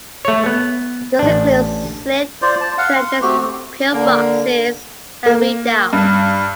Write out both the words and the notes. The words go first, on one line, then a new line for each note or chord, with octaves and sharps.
This includes slit trenches, pillboxes, and redoubts.
A3 C#5
B3
A1 D4
F4 C5 D5
A5
F5 F#5
C6
A3 C4 F#4 G4
D3 A#3
A#3
G2